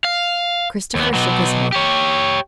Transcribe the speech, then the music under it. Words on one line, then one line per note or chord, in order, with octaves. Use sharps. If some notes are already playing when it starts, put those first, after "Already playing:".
Christopher shook his head.
F5
D#2 B3
B2 F#3
G4 C#5